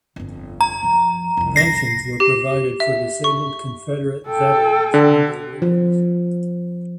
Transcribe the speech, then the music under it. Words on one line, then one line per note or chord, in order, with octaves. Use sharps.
Pensions were provided for disabled Confederate veterans and their widows.
G1 F2
A#5
F#2 F3
C2 F2
A#6 C7
G4
E5
C#6
A4 G5
D3
F3